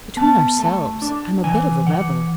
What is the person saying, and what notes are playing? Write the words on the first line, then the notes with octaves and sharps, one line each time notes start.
Between ourselves, I am a bit of a rebel.'
B3 A5
A3 A5
D4
E3 G#5
E3 F#5